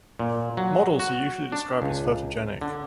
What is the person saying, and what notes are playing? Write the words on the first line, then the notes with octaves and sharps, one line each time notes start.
Models are usually described as photogenic.
A#2
F#3
F#4
D4
C#2
D3